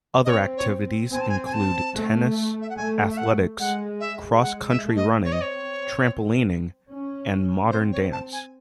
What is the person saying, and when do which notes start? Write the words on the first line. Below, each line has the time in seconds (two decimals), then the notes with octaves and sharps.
Other activities include tennis, athletics, cross-country running, trampolining and modern dance.
0.25 D#5
0.29 C4 C#5
0.57 C#5
1.12 C4 G#5
1.21 A5
1.29 G#5
1.46 G#5
1.53 A5
1.95 A3
2.62 E5
2.70 F#5
2.77 A3 G#5
3.11 E5
3.17 F#5
3.59 G#3 F#5
4.00 E5
4.42 G#3 F#5
4.70 E5
4.83 A3
4.96 D#5
5.23 C4 C#5
5.32 D#5
5.41 C#5
6.89 C#4
7.71 C4 C5
7.92 C#5
8.12 A5
8.32 G#5